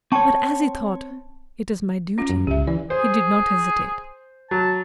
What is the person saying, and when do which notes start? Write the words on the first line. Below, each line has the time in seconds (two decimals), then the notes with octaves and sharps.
But as he thought, "It is my duty," he did not hesitate.
0.12 C4 C#5 G5 A5 C#6
2.18 C#4 F4
2.30 F#2
2.47 C#2 G4 E5
2.67 E3 D5
2.90 G#4 C5
4.51 F#3 A5